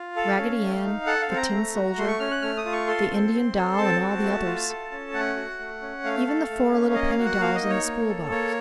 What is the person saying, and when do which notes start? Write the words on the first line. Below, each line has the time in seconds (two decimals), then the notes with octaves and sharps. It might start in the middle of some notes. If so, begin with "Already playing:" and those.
Raggedy Ann, the tin soldier, the Indian doll and all the others--even the four little penny dolls in the spool box.
Already playing: F4
0.16 A4 F5
0.38 C#4
0.61 A3
0.85 D#4
1.06 A4 F#5
1.22 F5
1.29 C4
1.36 A#5
1.52 A3
1.74 F#4
1.97 A3 C6
2.08 C#6
2.20 C#4 F6
2.31 F#6
2.42 A3 F6
2.57 D#6
2.65 F4
2.72 C#6
2.87 A4 C6
3.11 C4
3.33 C4
3.55 A4
3.77 C4 A5
4.01 F#4
4.23 A3
4.46 F4
4.69 A4
4.92 C#4
5.13 A3 F#5
5.36 F#4
5.59 A3
5.82 C#4
6.04 A3 F5
6.27 A4
6.50 A3
6.72 C#4
6.94 A#3 D#5
7.10 F5
7.18 F#4
7.25 F#5
7.40 A#3 F5
7.55 D#5
7.62 D#4
7.70 C#5
7.85 A#3
8.08 A4
8.30 A#3 C#5